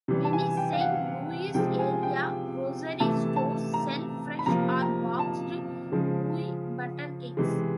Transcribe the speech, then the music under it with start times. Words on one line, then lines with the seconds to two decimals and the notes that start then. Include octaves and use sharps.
Many Saint Louis area grocery stores sell fresh or boxed gooey butter cakes.
0.08 C3 E3 G3
0.24 A5
0.33 G#5
0.57 G5
0.73 F5
0.81 F#5
1.54 C3 F3 G#3 G5
1.79 G#5
2.03 G5
3.00 C3 E3 A3 A5
3.36 A5
3.74 A#5
4.39 B5
4.46 C3 F3 A#3 A#5
4.82 A#5
5.19 A5
5.92 C#3 F3 G#3
7.37 C3 E3 G#3